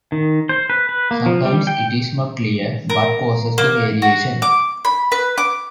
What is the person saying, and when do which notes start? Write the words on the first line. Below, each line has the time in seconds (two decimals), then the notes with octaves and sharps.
Sometimes, it is not clear what causes the variation.
0.12 D#3
0.49 C5
0.70 B4
0.89 B4
1.11 A#3
1.26 F3
1.45 G3
1.67 G5
2.90 A#4
3.58 A#3
4.02 F#4
4.42 D6
4.85 B5
5.12 B4
5.38 D6